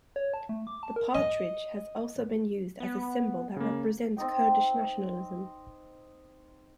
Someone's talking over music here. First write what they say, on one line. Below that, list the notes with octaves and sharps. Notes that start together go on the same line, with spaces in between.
The partridge has also been used as a symbol that represents Kurdish nationalism.
C#5
A5
A3
D6
A5
A#4
D#5
B3
C#3 A#3
C4 D#4 D#5 G5